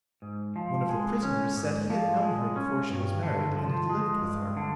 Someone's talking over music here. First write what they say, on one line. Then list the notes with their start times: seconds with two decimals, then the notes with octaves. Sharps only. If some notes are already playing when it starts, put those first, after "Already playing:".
One of the prisoners said he had known her before she was married and had lived with her.
0.22 G#2
0.56 F3
0.89 G#3
1.23 C#4
1.56 G#2
1.90 F3
2.23 G#3
2.56 C#4
2.90 G2
3.23 D3
3.56 F3
3.89 G#3
4.23 G2
4.57 D3